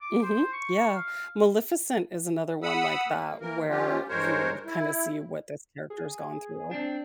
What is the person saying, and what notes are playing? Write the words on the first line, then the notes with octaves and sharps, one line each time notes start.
Mhm. Yeah. Maleficent is another one like that where you kinda see what this character has gone through.
D6
C5
C#6
F5
F#5 B5 D#6 E6
A#3
E3 A#3 A#4
F3 C#4 F4 G4
G2 G#3 A#4 C5 C#5
E4
G#4
C4 D4 G5